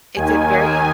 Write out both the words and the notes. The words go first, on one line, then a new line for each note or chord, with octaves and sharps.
it's a very
D#2 D#3 G#5